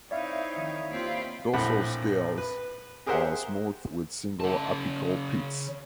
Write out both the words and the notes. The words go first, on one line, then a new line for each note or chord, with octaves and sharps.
Dorsal scales are smooth with single apical pits.
C4 D#4 E4 C#5 D5 E5 F5
D#3
D#2 C4 F4 B5
A#1 A2 C4 F#5 B5
B4
G4 G#4 A#4 C5 E5 F#5
C#3 A5